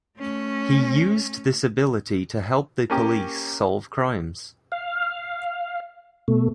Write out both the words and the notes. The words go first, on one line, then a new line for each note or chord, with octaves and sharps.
He used this ability to help the police solve crimes.
A3 C#4
A#3 C#4 G4
F5
B2 A3